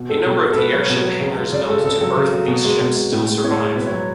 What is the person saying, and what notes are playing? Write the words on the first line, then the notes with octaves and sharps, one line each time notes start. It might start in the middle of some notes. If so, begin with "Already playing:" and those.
A number of the airship hangars built to berth these ships still survive.
Already playing: B2
G#3 A4
B2
G#3
A4
B2 B4
F#3 C#5
B2
F#3
C#3
G#3
C#3 D5
G#3 A4
C#3 A4
F#3 A4
C#3
F#3
B2
G#3
B2
G#3
A2
G#3
A2 C#5
G#3
B2 B4
C#5
F#3